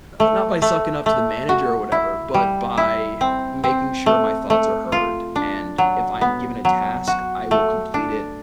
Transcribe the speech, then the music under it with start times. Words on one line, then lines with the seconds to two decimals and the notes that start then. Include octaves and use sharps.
Uh, not by sucking up to the manager or whatever, but by making sure my thoughts are heard, and if I'm given a task, I will complete it
0.20 A3
0.62 A3
1.06 A3
1.49 F#4
1.92 E4
2.34 G3
2.77 E4
3.21 C4
3.64 C4
4.06 A3
4.50 A3
4.92 F4
5.36 D4
5.78 F#3
6.21 B3
6.65 F#3
7.07 F#4
7.51 A3
7.94 D4